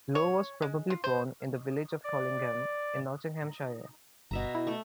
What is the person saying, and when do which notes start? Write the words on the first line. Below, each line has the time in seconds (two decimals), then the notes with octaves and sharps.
Blow was probably born in the village of Collingham in Nottinghamshire.
0.15 C#5
0.62 G#3
0.90 F4
1.04 C5
2.04 D5
4.31 G1 B2 E5 A#5
4.55 E4
4.67 A3